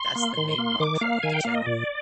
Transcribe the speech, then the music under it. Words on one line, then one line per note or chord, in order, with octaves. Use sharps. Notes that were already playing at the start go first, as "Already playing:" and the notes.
That’s the main mantra of the channel.
Already playing: C6
A#3
D#3
A#3
D#3 D6
A#3 F5
D#3 G#5
G5
A#3 F5
D#5
A#2 D5